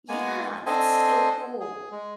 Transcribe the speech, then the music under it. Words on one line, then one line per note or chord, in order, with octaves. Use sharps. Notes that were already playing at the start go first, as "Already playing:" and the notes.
Yeah, that's so cool.
G#3 A#3 B3 G#5
C4 D4 A4 C5 D#5 G#5
G#4
G#3